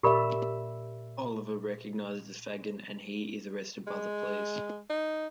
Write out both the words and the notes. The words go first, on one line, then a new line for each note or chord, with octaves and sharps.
Oliver recognises Fagin and he is arrested by the police.
A#2 G4 A#4 D5 E5 B5
G#3
D#4